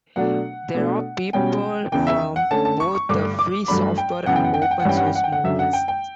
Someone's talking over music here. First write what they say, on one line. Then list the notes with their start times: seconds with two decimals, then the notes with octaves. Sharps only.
There are people from both the Free Software and Open Source movements.
0.16 B2 F#3 A3 D4 F#5
0.74 B2 A3 D4
1.33 B2 G3 C#4 G5
1.92 E2 C#3 E3 G5
2.07 E5
2.36 F#5
2.51 D3 A3 C#4 A5
2.65 A5
2.80 C#6
2.95 C#6
3.09 G2 D3 A3 D4 D6
3.39 D6
3.68 G2 F#3 A3 D4 B5
3.98 G5
4.26 F#2 C#3 E3 B3 F#5
4.36 G5
4.44 F#5
4.54 G5
4.62 F#5
4.71 G5
4.80 F#5
4.85 G2 E3 G3 C#4 G5
4.97 F#5
5.06 G5
5.15 F#5
5.24 G5
5.32 F#5
5.44 F#2 D3 F#3 E5
5.59 F#5
5.73 G5
5.88 G5